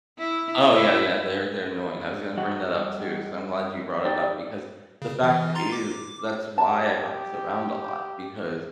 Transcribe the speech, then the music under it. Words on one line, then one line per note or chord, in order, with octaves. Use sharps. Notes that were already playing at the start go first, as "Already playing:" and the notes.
Oh, yeah, yeah, they're they're annoying. I was gonna bring that up too, so I'm glad you brought it up because the fact i is that's why I bounce around a lot, because
E4
E4
G3 F#4 D#5 F#5
D#4 G4 D5 G5
C#3
E3
A#5 C6 A6
D6
G4 A5